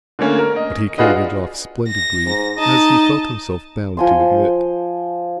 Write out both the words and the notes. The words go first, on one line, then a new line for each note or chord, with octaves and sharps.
But he carried it off splendidly, as he felt himself bound to admit.
D3 A3 A#3 C#4
A#4
D#5
D4 F4 F#4 G#4 B4 D#5
A#6
G#2
D#4 D#5 A5
F3 G#5 C6